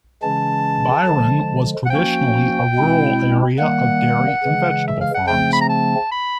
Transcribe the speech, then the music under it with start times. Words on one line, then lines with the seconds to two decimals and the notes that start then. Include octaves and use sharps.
Byron was traditionally a rural area of dairy and vegetable farms.
0.23 C#3 E3 G#3 C#4 A5
1.07 D3 F3 G#3
1.86 F#5
1.90 F3 A#3 C#4 F#4 G5
2.75 B2 G#3 C4 E4
3.59 D#3 G3 A#3 F#5
4.43 C#3 E3 G#3
4.88 E5
5.01 F5
5.15 F#5
5.27 C#3 F3 A3 C4 G5
5.53 B5
5.61 A#5
5.69 A5
6.12 B5